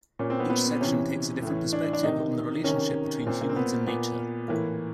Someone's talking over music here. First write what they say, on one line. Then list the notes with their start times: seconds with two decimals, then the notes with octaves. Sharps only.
Each section takes a different perspective on the relationship between humans and nature.
0.19 A#2 C#4
0.30 C4
0.40 B3
0.50 B3
0.65 C4
0.81 C3 E3 C#4
1.42 A2 E3
1.73 D4
1.93 D4
2.03 C3 D#3 D#4
2.64 C3 D#3 C#4
3.27 A#2 C4
3.41 A#3
3.50 C4
3.56 B3
3.87 A#2 B3
4.48 A2 E3 A#3